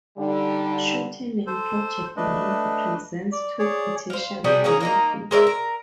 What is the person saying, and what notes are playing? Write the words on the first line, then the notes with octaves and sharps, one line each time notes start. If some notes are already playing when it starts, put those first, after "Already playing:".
Shortening project length presents two potential benefits.
D3 G3 D#4
A4 C5
A3 D4 B4 D#5
D5
G#4 C#5 D5
C5 F5
C3 G3 F#4 G#4
A#3 C#4 G#4 A#4
A#3 D#4 A#4
G#3 A#4 C#5 E5
A#4